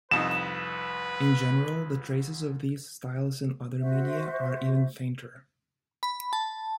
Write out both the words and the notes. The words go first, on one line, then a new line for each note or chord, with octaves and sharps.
In general the traces of these styles in other media are even fainter.
C2 F2 D#4 B4 E7
F#4 C5 E5
B5
A5